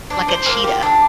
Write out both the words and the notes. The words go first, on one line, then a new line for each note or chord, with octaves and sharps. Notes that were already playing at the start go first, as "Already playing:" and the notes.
like a cheetah,
D4
C5
A#3
G4
D4